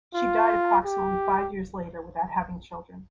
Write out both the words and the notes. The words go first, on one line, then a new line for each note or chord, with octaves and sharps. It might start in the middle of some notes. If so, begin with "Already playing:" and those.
She died approximately five years later without having children.
F4
G4